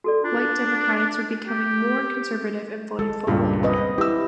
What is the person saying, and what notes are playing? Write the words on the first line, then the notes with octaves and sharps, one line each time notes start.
White Democratics were becoming more conservative and voted for Goldwater.
F#4 A4 D5
D4 F4
G4
G#3 A4
C#2 G2 A#2 G4
C4 B4 D#5
E4 G4 E6